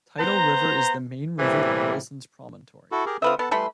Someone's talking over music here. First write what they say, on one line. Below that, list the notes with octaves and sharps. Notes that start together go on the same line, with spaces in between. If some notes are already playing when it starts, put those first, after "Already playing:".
Tidal River is the main river in Wilsons Promontory.
B3 C5 A#5
A2 C3 E3 G3 A#3
E4 F#4 A4
G4 G#4 A#4
D3 C4 F4 B4 E5 D#6
B3 A4 F#5 A5
E3 G3 A3 B4 B5 C6